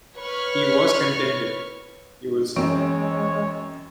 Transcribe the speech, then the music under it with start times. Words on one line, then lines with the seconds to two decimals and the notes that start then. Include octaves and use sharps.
He was contented, you will say.
0.16 B4 C#5 C#6 F6
2.56 F#2 E3 G#3 C4 C#5 C#6 D7